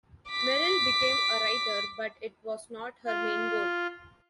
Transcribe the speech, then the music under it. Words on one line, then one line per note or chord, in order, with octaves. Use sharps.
Merrill became a writer, but it was not her main goal.
D6 B6
F4